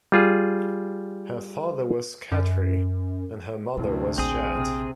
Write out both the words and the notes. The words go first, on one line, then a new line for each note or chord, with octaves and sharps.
Her father was Khatri, and her mother was Jatt.
G3 F4 G#4
F#2
D2 C3 E4
A#1 C4 G#4
C3